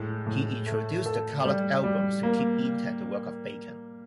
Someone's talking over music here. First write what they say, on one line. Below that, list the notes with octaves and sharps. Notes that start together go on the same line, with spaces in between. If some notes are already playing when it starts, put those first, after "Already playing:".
He introduced the coloured albums to keep intact the work of Bacon.
Already playing: A2 G#3
A2
A3
A4
G3
G3
A#3